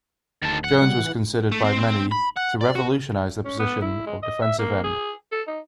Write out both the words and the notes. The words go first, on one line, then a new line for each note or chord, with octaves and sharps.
Jones was considered by many to revolutionize the position of defensive end.
D1 D#3 A5
F#5
G3
E3
A3
C4
C4
B5
F#5
D5
F#4
C#4
B3
E4
G#3
D#5
E5
A#3
G#4
A4
D#4